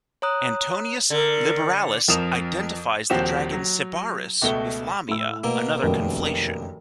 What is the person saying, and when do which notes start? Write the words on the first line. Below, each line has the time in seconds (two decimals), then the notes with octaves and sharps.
Antoninus Liberalis identifies the dragon Sybaris with Lamia, another conflation.
0.22 C#5 A#5 D#6 F#6
1.10 D3 A#4
2.08 F2 F3 A#4 D#6 E7 F7
3.10 D#1 F3 C4 F#4 G4 E7
3.52 F#3
4.42 C#2 B2 A3 G7
5.08 A2 E6
5.44 B2 A#3
5.83 F1 F#2 D#3